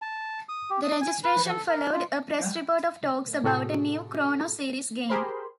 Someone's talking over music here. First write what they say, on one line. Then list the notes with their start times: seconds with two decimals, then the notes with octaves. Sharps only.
The registration followed a press report of talks about a new "Chrono" series game.
0.02 A5
0.49 D#6
0.70 G4
0.84 D#6
1.01 G#5
1.24 B4
1.49 A4
1.69 A#4
1.93 F4
3.43 A2 C3 F#4 G#4 A4
5.09 G4 G#4 A#4 C5 B5 C6